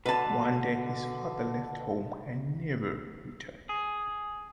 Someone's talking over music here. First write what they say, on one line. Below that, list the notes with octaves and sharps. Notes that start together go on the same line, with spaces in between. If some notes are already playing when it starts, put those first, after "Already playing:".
One day his father left home and never returned.
B2 D3 B4 A5
G#4